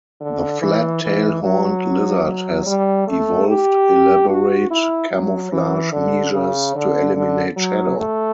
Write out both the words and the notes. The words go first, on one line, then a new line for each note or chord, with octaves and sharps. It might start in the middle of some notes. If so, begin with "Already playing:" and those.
The flat-tail horned lizard has evolved elaborate camouflage measures to eliminate shadow.
D3
E3
E3
F#3
F#3
G3
A3
G4
F#4
E4
F#3
E3
D3
C#3
D3
D3
F#3
A3